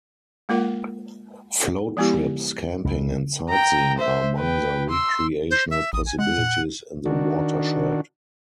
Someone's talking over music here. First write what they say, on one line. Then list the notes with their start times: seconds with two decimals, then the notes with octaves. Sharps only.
Float trips, camping, and sightseeing are among the recreational possibilities in the watershed.
0.49 G#3 A#3 F4 A#4 F#5
1.97 F3 G#3 B3 E4 G4
2.85 C#2
3.49 G5 A#5
3.98 C5 E5
4.37 B4 G5
4.89 C6 E6
5.51 C5
5.71 E5
5.93 A1 D#6
6.06 G#5
6.19 G#3 F#5
6.38 A#2
7.06 D#3 D4 F#4